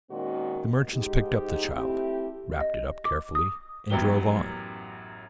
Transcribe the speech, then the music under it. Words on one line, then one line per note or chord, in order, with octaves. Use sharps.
The merchants picked up the child, wrapped it up carefully, and drove on.
A#2 D#3 G#3 C4 C#4 F#4
G#2 D#4 G4
A3 C4 E4 G4
D#5
D6
D#6
A1 F#2 F#3 B3 G4 G7